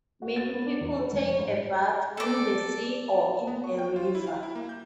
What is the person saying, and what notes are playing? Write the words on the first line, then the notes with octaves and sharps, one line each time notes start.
Many people take a bath in the sea or in a river.
F#4
A6
B3
D4
E2
B4
F1
C#5
G#2
A4 D5
B3
C#6
G5
F4
E4
F5
E4
A#3
G6